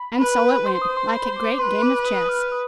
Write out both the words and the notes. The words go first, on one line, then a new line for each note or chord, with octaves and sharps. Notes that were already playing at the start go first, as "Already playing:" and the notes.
And so it went-like a great game of chess.
Already playing: B5
B4
C5 C6
D#6
C6
B5
D6
B4 C6
D6
D#6
F6
D#6